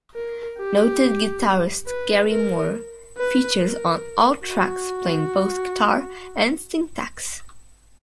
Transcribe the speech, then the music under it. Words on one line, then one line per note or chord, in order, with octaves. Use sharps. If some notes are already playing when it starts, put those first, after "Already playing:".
Noted guitarist Gary Moore features on all tracks playing both guitar and synthaxe.
A#4
G4
B4
A#4
B4
A#4
F#4